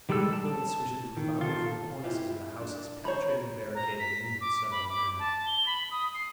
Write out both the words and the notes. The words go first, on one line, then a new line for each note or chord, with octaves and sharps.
Bullets which had rebounded from the cornices of the houses penetrated the barricade and wounded several men.
D#3 G3 G#3 A4 E6
A5
D#3
F4 A4
E4 F4 G4
D4
C5 C#5 A#5 B5
A#5
B6
D6
B5
D6
A5
G7
B5
D#6
C7